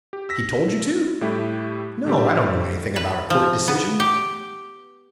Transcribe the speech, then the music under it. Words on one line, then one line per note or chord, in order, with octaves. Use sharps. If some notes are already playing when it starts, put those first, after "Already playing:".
He told you to!--No, I dunno anything about a court decision.
G4
E6 A#6 B6
A2 G3 A3 E4 G4
A2 D3 G3 G4
B4
F3
B3
G4